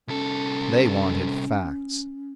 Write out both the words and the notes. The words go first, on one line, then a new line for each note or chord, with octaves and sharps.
They wanted facts.
C2 C#4 A4